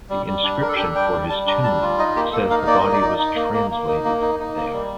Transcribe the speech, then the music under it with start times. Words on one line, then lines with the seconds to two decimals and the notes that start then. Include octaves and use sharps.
The inscription for his tomb says that he body was "translated" there.
0.10 G3
0.26 G3
0.43 D4
0.61 D4 A#4
0.68 A4
0.75 G4
0.78 D4
0.84 A4
0.95 G3 G5
1.13 G3
1.29 G3 A5
1.47 D4 A#5
1.64 G3 A5
1.82 F4
1.98 D#4 D#5
2.16 A#3 G4
2.33 A#3 A4
2.50 D#4 F5
2.67 A#3 D5
2.80 D#4 D#5
2.92 D5
3.01 D#4
3.19 D#4
3.36 A#3
3.53 A#3
3.71 A#3
3.87 D#4
4.05 A#3
4.22 D#4
4.40 D#4
4.56 A#3
4.73 G3